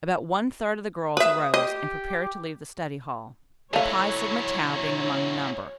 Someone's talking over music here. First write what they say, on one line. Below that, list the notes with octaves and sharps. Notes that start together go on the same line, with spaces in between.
About one third of the girls arose and prepared to leave the study hall, the Phi Sigma Tau being among the number.
B4 E5 D#6
G4 D#5
E3 F#3 A3 C#5 F5